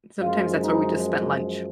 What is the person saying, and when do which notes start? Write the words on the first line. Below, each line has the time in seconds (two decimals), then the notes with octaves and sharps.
Sometimes that's where we just spent lunch.
0.21 F#2 F3 G#3 F4
0.61 D#4